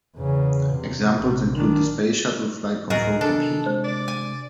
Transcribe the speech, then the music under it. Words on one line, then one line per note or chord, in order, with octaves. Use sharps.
Examples include the Space Shuttle flight control computer.
E2 C#3
C3
A#1 C3
D#3 D4
D2 A2 F#4 G#4 A#4 D#5
C3 D4 A4
C3 G#3 C5
D5
G#5